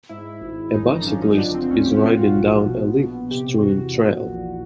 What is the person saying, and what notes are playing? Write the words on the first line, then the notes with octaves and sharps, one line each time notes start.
A bicyclist is riding down a leaf strewn trail.
G#2 E4
G#1
F#2 D#4
D#4
D4
F3 C#4
D#4
D3 D4
C4
D2 C#4
G4
F#4
A#2 F4
F#4
A#1
B2
B2
C3 G4
E2 F#4
A#2
A#1